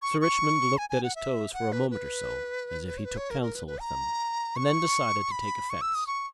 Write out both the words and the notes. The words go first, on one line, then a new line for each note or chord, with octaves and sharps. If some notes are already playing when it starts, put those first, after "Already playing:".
Sir Richmond looked at his toes for a moment or so as if he took counsel with them and then decided to take offence.
C#6
C#6
G#5
G#5
F#5
E5
F#5
B4
B4
C#5
B4
C#5
A#4
A#4
B4
B4
A#5
C#6
B5
C#6
E6
D#6
C#6